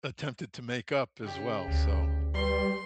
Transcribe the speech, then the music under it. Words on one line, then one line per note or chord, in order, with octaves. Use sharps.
attempted to make up as well, so
C#3 G4
D2
G3 B4 C6